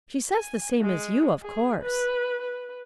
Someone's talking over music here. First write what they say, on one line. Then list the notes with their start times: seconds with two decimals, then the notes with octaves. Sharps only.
"She says the same as you, of course."
0.32 G#5
0.82 G#3
1.43 G#4
1.82 B4
2.41 B4